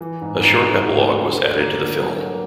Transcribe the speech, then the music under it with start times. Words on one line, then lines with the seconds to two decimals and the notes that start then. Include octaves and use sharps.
A short epilogue was added to the film.
0.01 E3
0.21 G#2
0.40 G#2
0.61 G#2
0.80 G#2
1.01 A3
1.20 D3
1.40 A#3
1.60 A#3
1.81 D3
2.00 F#3
2.20 A#3